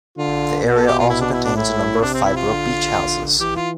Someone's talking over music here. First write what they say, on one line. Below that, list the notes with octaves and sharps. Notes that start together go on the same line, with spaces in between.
The area also contains a number of fibro beach houses.
D3 F4
B2
A4
G4
F4
E4
D4
E4
D4
A2 E4
C3 D4
C4
E4
F4
D3
D3
E3 G4
F4